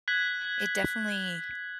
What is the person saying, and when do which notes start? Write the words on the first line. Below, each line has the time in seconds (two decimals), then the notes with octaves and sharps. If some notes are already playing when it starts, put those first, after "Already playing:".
it definitely,
0.08 F#6 G#6 B6 F#7